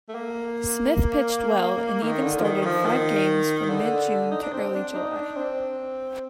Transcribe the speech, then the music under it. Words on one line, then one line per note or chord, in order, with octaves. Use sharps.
Smith pitched well and even started five games from mid-June to early July.
A3
A#3
D#3
D3
F3
D#3
D#3
F3
D#3
D3
D#4
D4
C4
D4
D#4
D4
C4